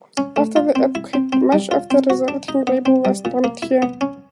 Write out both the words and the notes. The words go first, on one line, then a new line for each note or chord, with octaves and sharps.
After the earthquake, much of the resulting rubble was dumped here.
C#4
A3
F4
C4
E4
C4
C4
G3
F4
C4
F#4
D4
D#4
B3
C4
G3
A#2
A#3
E4
B3
C#4